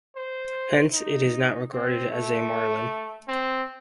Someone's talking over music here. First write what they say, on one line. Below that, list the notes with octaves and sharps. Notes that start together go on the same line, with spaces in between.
Hence it is not regarded as a Marilyn.
C5
D#4
C4
A3
C4